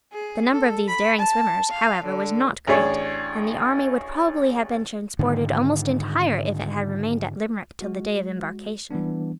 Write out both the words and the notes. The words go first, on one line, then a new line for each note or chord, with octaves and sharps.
The number of these daring swimmers, however, was not great; and the army would probably have been transported almost entire if it had remained at Limerick till the day of embarkation.
G#4
A4
B5
A5
F5
D3
A1 D4 G#4 C#5
G#2 D3 D#3
G#3 F#4
E3 G3 B3 D4